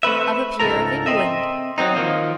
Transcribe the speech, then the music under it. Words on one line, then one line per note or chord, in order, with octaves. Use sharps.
Of a peer of England.
A3 C4 B4 E5
C#2 G#2 E3 A4 A#4 A#5
C4 D#5 E5
F#3 A3 C4 D#4
D#3 F3 A#3